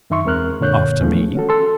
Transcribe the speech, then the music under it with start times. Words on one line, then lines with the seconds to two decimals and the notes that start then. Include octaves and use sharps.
"After me?"
0.10 F#2 D#3 D#4 E5 C6 C#6
0.25 E2 G#3 C4 A#4 F6 F#6
0.60 F#2 A#2 D3 C#5 F#6 G6
1.01 D#3 F3 G#3 A3 B3 C#4
1.35 C#4 F#4 A4
1.49 A4 C6